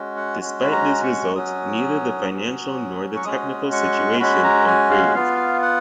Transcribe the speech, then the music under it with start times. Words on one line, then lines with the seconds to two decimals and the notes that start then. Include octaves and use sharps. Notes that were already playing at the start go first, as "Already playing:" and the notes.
Despite this result, neither the financial nor the technical situation improved.
Already playing: G#3 C#4 F#4
0.17 F#5
0.40 G#3 C#4 F#4
0.63 B5
0.72 A#5
1.04 C#6
1.35 F#3 C#4 F#4 D#6
2.30 F#3 C#4 F#4
3.16 C#6
3.25 G#3 C#4 F#4 D#6
3.72 C#6
4.20 G#3 C#4 F#4 B5
4.44 A#5
4.68 G#5
4.91 F5
5.15 B3 F4 F5
5.62 F#5